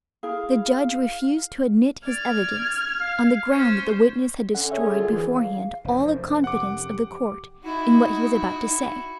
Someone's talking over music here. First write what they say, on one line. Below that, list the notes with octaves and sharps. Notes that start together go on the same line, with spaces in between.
The judge refused to admit his evidence, on the ground that the witness had destroyed beforehand all the confidence of the Court in what he was about to say.
E4 G#4 F5
D5 F6 G#6
F5
C#4 C5
D3 C#4 F#5
G#4 A4 C#5 E5
F#2 D3 F4
E3 E4 G#4
F5
F1 F#2 C5
G4 F#5 D6
D#4 E4 F#4